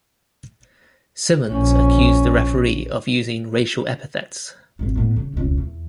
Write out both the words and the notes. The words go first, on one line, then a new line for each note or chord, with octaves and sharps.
Simmons accused the referee of using racial epithets.
A#1 C#4
G#1 E2
A2 B3
C#3
E1 C#2
E2